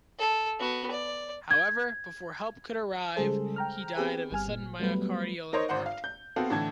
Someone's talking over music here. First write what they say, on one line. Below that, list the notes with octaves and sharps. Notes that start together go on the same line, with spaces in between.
However, before help could arrive, he died of a sudden myocardial infarct.
A4
B3 F#4
D5
G#6
C#3 G3 G#3 G#4 A4 C5
G5 A#5 F6
B3 C4 G4 G#4 B4
G1 G3 G#5 F6
A#2
F#3 G3 A3 B3 B4
D#4 A#4 C5 C#5 D#5
G#1 C5 F#5
F5
G6
B3 C4 F#4 A4 F5
A2 D3 E3 A5 G#6